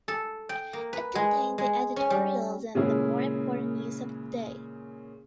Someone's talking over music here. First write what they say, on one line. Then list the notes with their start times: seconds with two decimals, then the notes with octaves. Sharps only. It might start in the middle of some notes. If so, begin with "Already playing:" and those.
It contained the editorials and the more important news of the day.
0.08 A4
0.49 G5
0.73 A#3
0.93 B4
1.15 G#3
1.58 G#3
1.96 C#4
2.10 G3
2.75 A#2 C#3 G#3 C#4 E4 G#4